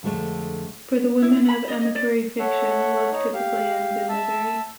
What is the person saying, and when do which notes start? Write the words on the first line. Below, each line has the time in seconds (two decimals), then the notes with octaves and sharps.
For the women of amatory fiction, love typically ends in misery.
0.03 F2 D3 G#3 A3
1.22 E4
1.48 B5
1.68 D#5
1.81 D#5
1.95 D5
2.39 A4 C#5 E5 F#5
3.12 D#4 C#5
3.34 G4 F5
4.09 E5 A5 E6